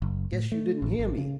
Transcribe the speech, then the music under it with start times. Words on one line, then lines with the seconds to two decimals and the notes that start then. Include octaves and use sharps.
Guess you didn't hear me.
0.02 F#1
0.32 A2
0.52 A3
0.82 A1
0.99 G#1
1.18 C#3